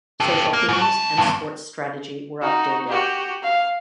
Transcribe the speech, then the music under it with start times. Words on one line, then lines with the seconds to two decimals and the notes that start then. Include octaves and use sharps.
Social themes and sports strategy were updated.
0.20 G4 A4
0.53 A#3
0.69 G#2 F#3
0.82 C#2 A5
1.18 E2 G2
2.42 D#4 F#4
2.87 F#4 G4
3.43 F5